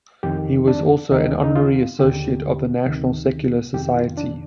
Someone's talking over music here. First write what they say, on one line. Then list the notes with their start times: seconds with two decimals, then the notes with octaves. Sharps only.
He was also an honorary associate of the National Secular Society.
0.23 F2 D#3 G4
0.68 D4
1.11 D#2 D#3 D#4
1.44 D#4
1.56 F4
1.99 D#2 D3 G4
2.86 D2 C3 D#3
3.73 F2 C3 D#3 G4
3.96 F4
4.17 D4